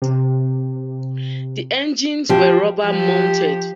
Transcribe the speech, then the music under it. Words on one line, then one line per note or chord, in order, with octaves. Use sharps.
The engines were rubber mounted.
C3
F3 G4
F3 G4